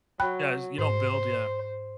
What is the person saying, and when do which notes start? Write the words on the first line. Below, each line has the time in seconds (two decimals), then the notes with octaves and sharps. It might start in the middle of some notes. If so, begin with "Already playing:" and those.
Yeah, you don't build, yeah.
0.20 F#3 G5 B5 F#6
0.78 G#2 C5